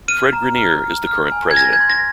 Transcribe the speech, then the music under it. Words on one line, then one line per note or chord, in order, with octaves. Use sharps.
Fred Greiner is the current President.
F6 D#7
A#5
F6
F6
F6
G#5
G#6
G#5 A#6
G#6
C6
A#6